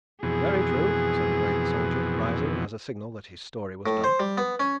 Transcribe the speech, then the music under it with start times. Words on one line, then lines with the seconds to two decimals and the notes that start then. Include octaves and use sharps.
"Very true," said the great soldier rising, as a signal that his story was done.
0.23 F2 B2 E3 G#4
3.86 A2
4.04 C5
4.20 G3
4.38 B3
4.60 C#4